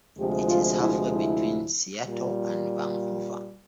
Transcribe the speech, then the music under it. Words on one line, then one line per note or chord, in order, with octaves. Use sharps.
It is halfway between Seattle and Vancouver.
D2 C3 F3 G#3 G4
F4
E4
E4
A#2 G3